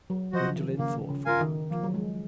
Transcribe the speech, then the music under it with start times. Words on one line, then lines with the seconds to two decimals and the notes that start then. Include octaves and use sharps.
Gwendolen thought for a moment.
0.10 F#3
0.32 F3 F#4 C5 D#5 F#5
0.56 D#3
0.79 C#3 A#3
1.10 C#3
1.25 F4 A#4 F5 G#5
1.41 D#3
1.71 F3 A#3
1.83 F#3
1.94 G#3